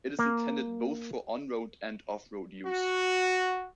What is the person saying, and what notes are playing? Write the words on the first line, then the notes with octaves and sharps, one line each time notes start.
It is intended both for on-road and off-road use.
A#3
F#4